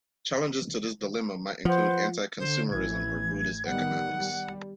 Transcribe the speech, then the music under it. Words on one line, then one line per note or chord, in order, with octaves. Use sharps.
Challenges to this dilemma might include anti-consumerism or Buddhist economics.
F3 B4 C5 F#5
D3 C5
A1 E3 G#6
D#3 G3 B3 F#5
G3